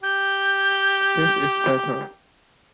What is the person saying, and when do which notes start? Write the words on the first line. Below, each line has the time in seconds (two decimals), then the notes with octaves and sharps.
This is better.
0.03 G4 G6